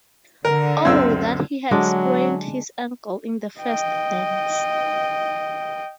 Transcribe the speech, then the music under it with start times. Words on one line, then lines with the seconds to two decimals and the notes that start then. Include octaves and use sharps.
Oh that he had sprained his ankle in the first dance!
0.45 D3 A#4
0.85 C#2 F#2 C4 E6 G#6
1.71 D3 F#3 G#3 D4
3.61 D#5 G5